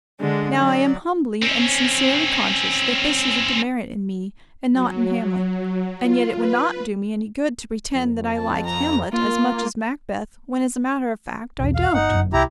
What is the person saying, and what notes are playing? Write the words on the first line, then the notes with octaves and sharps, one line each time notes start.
Now I am humbly and sincerely conscious that this is a demerit in me and not in Hamlet; and yet it would not do me any good to pretend that I like Hamlet as much as Macbeth when, as a matter of fact, I don't.
D3 G#3 D4
F#3 D5
C4 C#4
F#3
F4
B4
F2
A5
A#5
A#3 F4
B1 E2
F5
G1 D#4 F#5
G1 F#2
C2 E4 G4 A#5